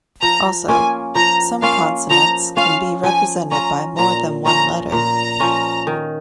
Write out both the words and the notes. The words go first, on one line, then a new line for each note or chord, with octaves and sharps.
Also, some consonants can be represented by more than one letter.
F3 A#5
A#3 C#4 F4 G#5
F3 A#5
A#3 C#4 F4 F5
F3 A#5
C#4 F4 F5
F3 G#5
C#4 F4 A#5
A#2 A#5
F3 C#4 F4 A#5
A#2 A#5
F3 C#4 F4
D#3